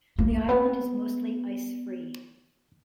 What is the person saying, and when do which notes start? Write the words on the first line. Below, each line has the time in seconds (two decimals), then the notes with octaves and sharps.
The island is mostly ice free.
0.19 A#3
0.49 B3